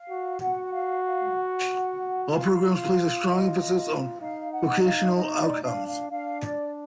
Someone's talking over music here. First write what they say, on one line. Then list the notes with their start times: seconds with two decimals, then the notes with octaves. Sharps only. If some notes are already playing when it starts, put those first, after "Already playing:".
All programs place a strong emphasis on vocational outcomes.
Already playing: F5
0.10 F#4
0.41 F#4 F#5
0.65 F#5
0.73 F5
1.05 F5
1.36 F#5
2.31 F4 F5
3.26 D#5
4.21 D#4 F5
4.52 F#5
4.69 D#4
4.84 F5
5.16 D#4 D#5
5.40 D5
5.64 D4 F5
5.87 F5
6.11 D4 F5
6.42 D5